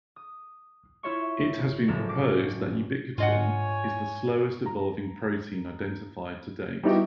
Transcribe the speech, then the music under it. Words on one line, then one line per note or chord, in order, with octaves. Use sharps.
It has been proposed that ubiquitin is the slowest-evolving protein identified to date.
D#6
E4 F4 C#5 E5 C6 C#6
F#1 A2 F3 F#3 A#5 E6
D6
G#2 D4 F4 C#5 D#5 F#5 G#5
A#5
G3 B3 D#4 E4 F#4 G4